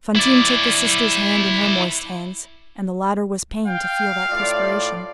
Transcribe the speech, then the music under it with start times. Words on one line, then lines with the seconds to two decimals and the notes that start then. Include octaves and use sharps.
Fantine took the sister's hand in her moist hands, and the latter was pained to feel that perspiration.
0.16 E4 D5
3.66 F5 G5
4.30 A2 F4 D5